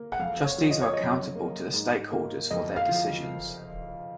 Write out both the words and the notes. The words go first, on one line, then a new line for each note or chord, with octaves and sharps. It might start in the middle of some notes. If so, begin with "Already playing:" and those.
Trustees are accountable to stakeholders for their decisions.
Already playing: A#3
F#5
F2 F5
C#5
F3
D#5
C#5
F#2 D#5
A#3
G#2
A#3
F2 D#5
F5
F3